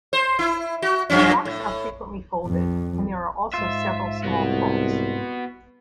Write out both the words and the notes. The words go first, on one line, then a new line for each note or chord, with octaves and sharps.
Rocks are frequently folded, and there are also several small faults.
C5
E4
F#4
F#2 F3 C#4
A2
F2
G#2 F4 E5
C2 B3 F#4